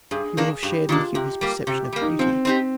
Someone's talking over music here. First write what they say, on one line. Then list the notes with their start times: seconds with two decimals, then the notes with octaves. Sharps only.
He will have shared with you his perception of beauty.
0.11 G2 G#4
0.37 D#3 A#3 D4
0.63 G2 G4
0.89 D#3 A#3 D4 F4
1.15 C3 G4
1.41 G3 A#3
1.67 C3 G4
1.84 G4
1.93 G3 A#3
2.02 D#4
2.19 F3 C4
2.45 C4 D#4 G4